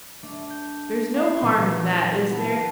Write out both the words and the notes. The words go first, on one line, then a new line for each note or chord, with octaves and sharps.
There's no harm in that, is there?
A3 D4
G6
G4 F5
A#2 E3 F#3 B3 F4 A4
B3 E4 A4 A5